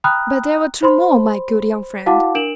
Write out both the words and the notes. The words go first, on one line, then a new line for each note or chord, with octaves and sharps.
"But there were two more, my good young friend!"
G5 A#5 B5 D#6 F6 F#6
C5 B5 C6
E4 F#4 F5 F#5 A5 D6
D4 A#4 D7 E7 F#7